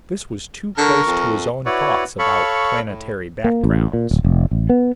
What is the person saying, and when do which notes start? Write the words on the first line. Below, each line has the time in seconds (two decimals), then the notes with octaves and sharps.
This was too close to his own thoughts about planetary backgrounds.
0.78 D3 A#4 C#6
1.07 F2
1.66 E4 F#4 B4 C#5 D5
2.19 A4 C#5 F5 B5 C#6
2.87 A2
3.44 A#3
3.64 A1
3.93 A#2
4.11 D1
4.24 F1
4.51 A1
4.70 B3